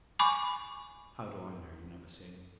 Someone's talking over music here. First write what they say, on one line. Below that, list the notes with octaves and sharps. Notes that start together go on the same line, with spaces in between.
How do I know you never sing?
G#5 B5 C#6 D6